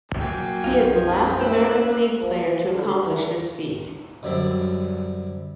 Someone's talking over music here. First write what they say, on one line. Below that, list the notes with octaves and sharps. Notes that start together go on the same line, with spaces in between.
He is the last American League player to accomplish this feat.
F#3 A#3 G5 G#5
B1 F#2 D#4 F4
A3 C#4 E4 G4 C5 E6 F#6
F3
D3
E2
F#2 D3 F#3 G3 C4